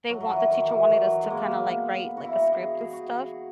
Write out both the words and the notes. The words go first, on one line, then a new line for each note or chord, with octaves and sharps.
they want the teacher wanted us to kinda, like, write, like, a script and stuff
F#3
F#3
E3
D#3
E3
F#3
G#3
A#3
B3
F#4
E4
D#4
G#4
G#4
F#4